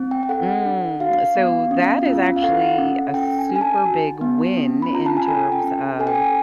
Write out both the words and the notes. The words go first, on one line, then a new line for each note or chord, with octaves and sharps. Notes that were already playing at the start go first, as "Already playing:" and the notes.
Mm. So, that is actually a super big win in terms of
Already playing: C4
G5
G5
A4 F#5
D4
F#4 F5
B3
C#4
F4
F5
A4 F#5
C#4
A4 G5
G#5
D4
G#5
A5
F#4
B3
C#4
B5
F4 A#5
A5
G#5
A4 G5
G5
C#4
A4 G#5
G5
G#5